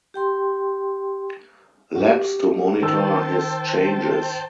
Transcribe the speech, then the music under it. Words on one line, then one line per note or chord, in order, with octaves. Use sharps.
Labs to monitor his changes.
G4 G5 C6
F#4 G4
D#3 C5 G5 A5 E6